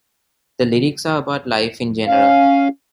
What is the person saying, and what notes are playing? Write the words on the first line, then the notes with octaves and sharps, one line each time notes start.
The lyrics are about life in general.
C#4 F5